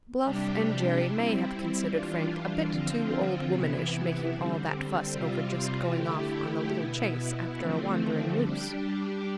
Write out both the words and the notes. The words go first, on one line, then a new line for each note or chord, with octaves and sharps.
Bluff and Jerry may have considered Frank a bit too old-womanish, making all that fuss over just going off on a little chase after a wandering moose.
C3 G3 D4 G4
G3 C4 E4
E3 G3 D4 F4
D3 F3 C4 F4
C3 E3 B3 E4
D3 G3 C4
C3 G3 C4 F4
D3 A3 E4 G4
B2 B3 E4
D3 F3 A3 C4
G3 D4 G4